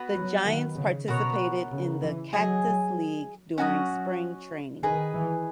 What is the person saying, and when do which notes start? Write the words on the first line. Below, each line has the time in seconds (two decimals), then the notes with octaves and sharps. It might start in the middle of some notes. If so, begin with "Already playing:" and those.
The Giants participated in the Cactus League during spring training.
Already playing: B3 F#4 B4
0.14 F#3
0.45 D#3
0.76 C#3
1.07 B2 B3 F#4 A#4 C#5
1.70 C#3
2.01 E3
2.33 F#3 G#4 D#5 G#5
3.58 F#3 C#4 F#4 A#4 D#5
4.83 D#3 G#4 B4 D#5
5.14 E3